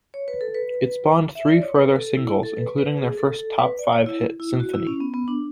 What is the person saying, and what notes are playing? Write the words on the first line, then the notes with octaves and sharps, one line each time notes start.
It spawned three further singles, including their first top five hit "Symphonie".
C#5
B4
A4
B4
E5
D5
C#5
B4
A4
E4
A4
B4
B4
G#4
A4
A4
B4
D5
C#5
E4
E4
F#4
E4
C#4
B3
B3
D4